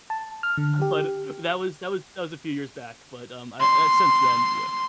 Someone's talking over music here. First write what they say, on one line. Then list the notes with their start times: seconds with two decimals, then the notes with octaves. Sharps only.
But that was that was that was a few years back, but, um, I I since then yeah.
0.10 A5
0.43 F6
0.57 D3
0.82 G4
3.61 C6